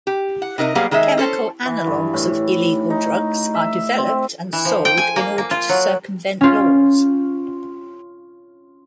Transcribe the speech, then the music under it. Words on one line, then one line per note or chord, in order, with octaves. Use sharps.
Chemical analogues of illegal drugs are developed and sold in order to circumvent laws.
G4
F#5
C3 D#4 A#4 D#5
F#3 G3 A#3 B3 G#4 F5
D#3 G#3 G#4 D#5 E5
C#4 A4 C5
E3
G2
A2
D#4
E5
C4
E3
F3
G5
G#5
A#3
A#3
F4
F#3
C#4 F4